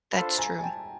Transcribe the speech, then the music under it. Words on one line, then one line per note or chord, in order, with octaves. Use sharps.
That's true.
D4 F4 A4 C5 A5 B5
G#5 A#5
G#5
G5 A5